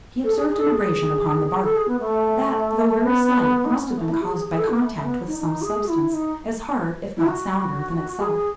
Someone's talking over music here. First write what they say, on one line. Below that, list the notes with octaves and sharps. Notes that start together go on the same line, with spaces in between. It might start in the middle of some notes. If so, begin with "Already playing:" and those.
He observed an abrasion upon the bark; that, though very slight, must have been caused by contact with some substance, as hard, if not sounder, than itself.
A4
G#4
G#4
A4
G#4
A4
G#4
B3
A3
B3
D#4
C#4
B3
A3
E4
G#4
G#4
G#4
A4
B3
A3
A3
B3
D#4
D#4
G#4
F#4
E4
E4
D#4
E4
F#4
G#4